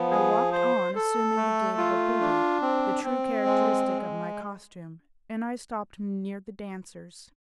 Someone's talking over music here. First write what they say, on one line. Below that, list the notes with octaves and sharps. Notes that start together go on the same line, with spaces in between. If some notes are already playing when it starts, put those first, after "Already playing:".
I walked on, assuming the gait of a booby, the true characteristic of my costume, and I stopped near the dancers.
Already playing: F3 B3
G#4
C5
A4
A3
F4
D4
C4
C4
G#3
G#3